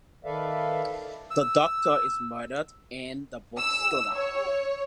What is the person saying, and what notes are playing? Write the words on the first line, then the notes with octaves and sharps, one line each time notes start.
The doctor is murdered and the book stolen.
D#3 A4 B4 D5 E5 F5
E6
E6
C#5